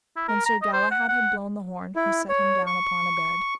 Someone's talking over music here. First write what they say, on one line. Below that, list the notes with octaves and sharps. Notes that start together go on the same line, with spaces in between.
When Sir Galahad had blown the horn he set him down upon a bed.
E4
A#4
A#5
D#5
C5
F#5
F#5
E4
C#5
C#6